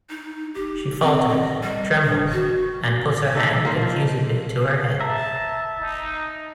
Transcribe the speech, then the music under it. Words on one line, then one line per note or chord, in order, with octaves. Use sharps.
She falters, trembles, and puts her hand confusedly to her head.
D#4
G4
C4
D#5
G3
D4
F#4
D#4 A4
A#3 C5
F3
E5 A5 A#5
D#4